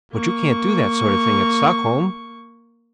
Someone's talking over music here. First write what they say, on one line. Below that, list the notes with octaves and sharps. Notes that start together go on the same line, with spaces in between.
"But you can't do that sort of thing at Stockholm!"
A#3 C#6